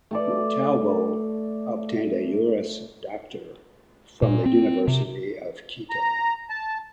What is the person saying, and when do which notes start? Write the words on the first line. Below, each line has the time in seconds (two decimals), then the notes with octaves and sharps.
Montalvo obtained a Juris Doctor from the University of Quito.
0.11 A3 A4 D5
4.22 A#2
4.46 C4
4.88 C3
5.90 A#5
6.50 A5